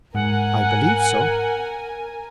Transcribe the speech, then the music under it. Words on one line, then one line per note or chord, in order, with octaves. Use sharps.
"I believe so."
G#2 A#4 F#5 G#5